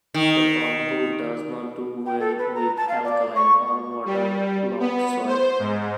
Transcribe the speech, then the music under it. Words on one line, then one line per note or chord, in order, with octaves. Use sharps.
The bamboo does not do well with alkaline or water-logged soil.
D#3
G5
A4
B4
A#5
A5
F5
D5
C#6
G3
B3
C5
G#2